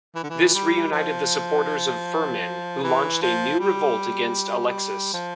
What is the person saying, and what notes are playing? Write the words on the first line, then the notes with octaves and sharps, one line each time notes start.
This reunited the supporters of Firmin, who launched a new revolt against Alexis.
E3
D3
E3
G3
F3
E3
F3
G3
F3